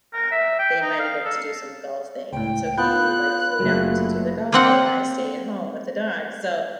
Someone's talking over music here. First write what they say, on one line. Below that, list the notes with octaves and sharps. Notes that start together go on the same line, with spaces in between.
uh they invited him to do some golf thing, and so he, like, flew down to do the golf thing, and I stayed at home with the dogs, so
A#4
E5
G5
D#4
F5
A4
C#2 A2 G5
B3 F4 A5 F#6 G6
F#1 F#3 A3
A#3 C4 F#5